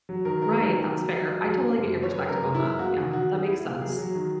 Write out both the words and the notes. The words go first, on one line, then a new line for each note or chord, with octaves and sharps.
Right, that's fair, I totally get your perspective on that, yeah, that makes sense.
F#3
D#3 A#4
D#3 A#4
B4
D#3
D#3 A#4
F#3
F#3
F#3
F#3
G#2
F#2
F#2
C#5
F#2 B4
F#2 A#4
G#3
E4
F#2
A#3 F#4
D#3
D#3 F#4
G#4
E4
A#3
F#3 G#4
F#3
D#3